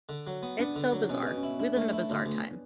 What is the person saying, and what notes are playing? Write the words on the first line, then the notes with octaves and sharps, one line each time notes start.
it's so bizarre. We live in a bizarre time.
D3
F#3
B3
B3 D4
D3
F#3
B2 C#4
B2 B3
C#4
E4
D4 E4
A3
E4
D2
D2